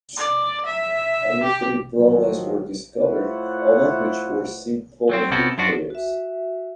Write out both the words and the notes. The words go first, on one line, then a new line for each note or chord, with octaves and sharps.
Only three problems were discovered, all of which were simple repairs.
D5
E5
G4
A2 D#3 F3 F#3
A3 E4 F4 C5 C#5 F#5
F#3 G3 C4
C3 B3 C#4 F#4 G4 A4
F#2 F3 D4 F#4
F#4 E5